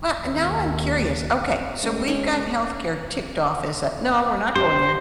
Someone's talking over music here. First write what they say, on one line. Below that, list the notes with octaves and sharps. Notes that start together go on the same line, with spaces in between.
Wha and now I'm curious, okay, so we've got healthcare ticked off as a "No, we're not going there."
D#2
C#2
C#4
G4 C5